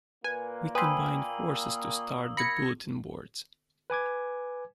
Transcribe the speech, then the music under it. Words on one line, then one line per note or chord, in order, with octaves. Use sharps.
We combined forces to start the Bulletin boards.
A#2 A#3 B4 G#5
B4 C5 G5 G#5 B5 D#6 E6
B5 G#6 A#6 C#7
B4 G#5 D6 G#6